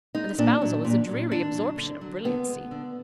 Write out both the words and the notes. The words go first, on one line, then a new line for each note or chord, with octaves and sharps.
An espousal is a dreary absorption of brilliancy.
G#3 D#4
A#2 D4
F#3
A#2
F#3
D3 D4
F#3
D3
F#3
D3 B3
G#3
D3